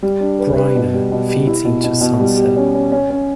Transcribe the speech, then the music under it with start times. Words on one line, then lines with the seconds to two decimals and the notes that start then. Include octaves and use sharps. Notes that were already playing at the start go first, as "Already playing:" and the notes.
Greiner, feeds into Sunset.
0.03 G3
0.21 D4
0.39 B4
0.57 B4
0.75 B2
0.94 G3
1.11 B2
1.29 G4
1.47 E4
1.65 B2
1.83 B2
2.01 B2
2.20 G3
2.37 G4
2.56 C#4
2.74 C#4
2.92 C#4
3.10 C#4